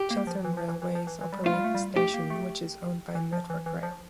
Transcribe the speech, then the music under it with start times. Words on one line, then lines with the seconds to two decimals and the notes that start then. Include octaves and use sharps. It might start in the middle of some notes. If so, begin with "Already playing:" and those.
Chiltern Railways operate the station, which is owned by Network Rail.
Already playing: G4
0.11 A#3
0.27 F3
0.44 E3
0.57 F3
0.69 E3
0.82 E3
0.95 F3
1.07 E3
1.21 E3
1.33 G3
1.44 A3 F4
1.54 G3
1.64 A3
1.75 G3
1.96 A3 G4
2.14 A#3
2.30 A3
3.15 E3
3.33 F3
3.50 E3
3.66 E3
3.83 F3